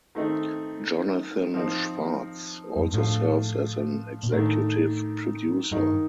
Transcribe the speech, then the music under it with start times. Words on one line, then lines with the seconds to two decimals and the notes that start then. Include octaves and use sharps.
Jonathan Schwartz also serves as an executive producer.
0.15 D#3 A3 C4 D#4
1.54 F3 C4 D#4
2.76 F2
2.85 G2
2.94 A2 F3 A3 D4 F4
4.23 A#2
4.32 A2 D#3 A3 D4
5.71 G2 D#3 A#3 D#4